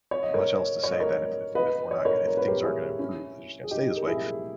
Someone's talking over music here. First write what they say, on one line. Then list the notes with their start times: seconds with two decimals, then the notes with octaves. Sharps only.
"much else to say then if if if we're not if things aren't gonna improve, they're just gonna stay this way.
0.11 C#5
0.23 D#5
0.34 A#4 C#5
0.84 C#5
0.92 D#5
1.00 A#4 C#5
1.55 B4 D#5
1.91 C#5
1.98 D#5
2.05 A#4 C#5
2.27 A#4
2.37 B4
2.47 G4 A#4
2.63 E4 G#4
2.99 C#4 E4
3.64 G#4
3.71 D#4 G4
3.97 A#4
4.07 E4 G#4